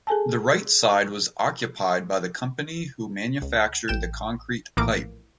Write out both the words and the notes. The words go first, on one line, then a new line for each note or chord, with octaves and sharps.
The right side was occupied by the company who manufactured the concrete pipe.
G#4 A4 G#5 A5
C#2
A1 G5 E7
A#1 A2 E3 A#3 A#4 D6